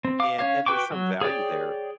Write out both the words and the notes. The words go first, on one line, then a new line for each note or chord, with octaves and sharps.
and and there's some value there.
C4
F5 D6
C#4 C#5 F5
F#4 B4 G5 C#6 D6
F#3
G#4 C#5 D5 G5